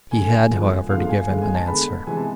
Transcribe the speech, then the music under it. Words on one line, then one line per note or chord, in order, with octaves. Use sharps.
He had, however, to give him an answer.
D3 A3 G#5
D3 F3 G#3 B3
D3 F3 G#3 B3 F5
F5
G#5
D3 G#3 B3 F5
G#5
A5
D3 G#3 B3 B5
C3 E3 G#3 B3 G#5
A5